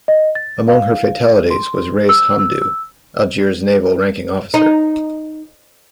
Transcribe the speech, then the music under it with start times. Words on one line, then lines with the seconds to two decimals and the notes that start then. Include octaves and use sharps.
Among her fatalities was Rais Hamidu, Algiers' ranking naval officer.
0.08 D#5
0.35 A6
0.68 F5
1.51 C6
2.09 E6
2.39 E6
2.62 E6
4.54 D#4